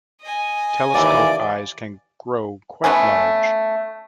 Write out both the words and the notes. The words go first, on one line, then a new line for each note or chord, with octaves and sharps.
Telescope eyes can grow quite large.
D#5 G#5
D#2 E3 D5
A3 B3 C#4 G#5